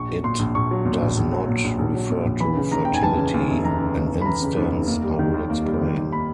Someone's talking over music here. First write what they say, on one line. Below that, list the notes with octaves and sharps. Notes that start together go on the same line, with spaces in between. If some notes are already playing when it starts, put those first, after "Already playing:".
It does not refer to fertility; an instance I will explain.
Already playing: A#1 C#6
F#3
A#2 C6
A#1
A#1 C#6
F#3
A#2
A#1
A#1
F#3
A#2
A#1
A#1
F#3
A#2
A#1
E3 B5
C#3
D#2 A#5
F1 G5
G#5
E3 A5
C#3
D#2
F1
E3 A#5
C#3
D#2
F1
B5
E3 A#5
C#3
D#2
F1
A#3
G3
D#3
D#2
A#3
G3
D#3
D#2
A#3 B5